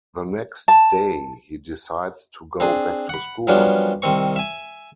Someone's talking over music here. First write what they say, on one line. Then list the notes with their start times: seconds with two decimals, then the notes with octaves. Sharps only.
The next day he decides to go back to school.
0.68 A5
2.60 C4 D4 G#4
3.09 F#5 B5
3.47 F#2 F3 G3 B3 C#4 D4
4.02 C2 D#3 C4 C#6
4.36 E5 G#5